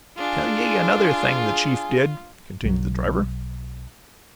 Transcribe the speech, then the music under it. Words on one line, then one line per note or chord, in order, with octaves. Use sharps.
"Tell ye another thing the chief did," continued the driver.
D4 F4 G#4
B1 F#3